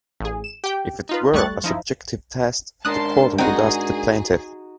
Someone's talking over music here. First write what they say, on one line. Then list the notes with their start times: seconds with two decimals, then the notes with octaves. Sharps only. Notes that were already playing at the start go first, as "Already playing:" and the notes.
If it were a subjective test, the Court would ask the plaintiff.
0.20 A1 G#4
0.44 E7
0.64 G4 G5
1.09 D#4 F4 B4
1.34 G3 A3 C#6 F#6 A6
1.64 F3 D#4 E4
2.85 G#2 D4 A#4 A5 C6 D#6 F#6
3.38 C4 D#4 F#4 G#4 G5